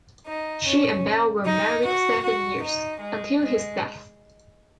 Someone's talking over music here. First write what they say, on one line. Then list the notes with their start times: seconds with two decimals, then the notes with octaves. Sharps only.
She and Bell were married seven years, until his death.
0.26 D#4
0.66 C#4
1.45 D#4
1.84 F#4
2.23 F#4
2.62 D#4
3.00 G#3
3.40 G#3